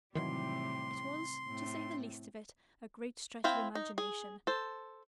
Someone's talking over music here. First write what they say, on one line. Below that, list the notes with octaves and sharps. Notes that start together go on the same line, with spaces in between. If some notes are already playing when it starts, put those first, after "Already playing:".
It was, to say the least of it, a great stretch of imagination.
A2 C3 D#3 E3 F#3 G3 C6
A2 C4
C4 E4 F5 G5
D#4
G#4
A4 C5